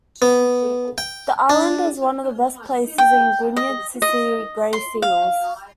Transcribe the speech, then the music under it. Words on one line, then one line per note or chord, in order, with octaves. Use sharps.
The island is one of the best places in Gwynedd to see grey seals.
B3
G5
D4
G5
D#5
D#5
C6
F5